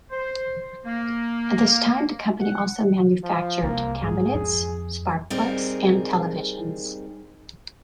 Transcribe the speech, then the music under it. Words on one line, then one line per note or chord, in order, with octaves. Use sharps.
At this time the company also manufactured cabinets, sparkplugs and televisions.
C5
A#3
F#5
F3
C2 A#3
G#2 G#4
F2
G3 C4 D#4 G#4 A#4